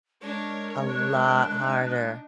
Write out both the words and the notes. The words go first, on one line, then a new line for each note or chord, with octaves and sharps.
A lot harder.
G#3 D4 A#4 C#5
D4 F#6
D#4